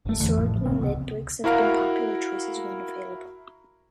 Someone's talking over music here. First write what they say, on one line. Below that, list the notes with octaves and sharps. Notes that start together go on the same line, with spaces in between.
Historically, lead bricks have been popular choices when available.
G1 A3
E1 F2 D3 E3
G#1 A2 F3
D1 A1 C#3 C4
C#2 C3 B3
E4 F#4 A#4 F5 A#5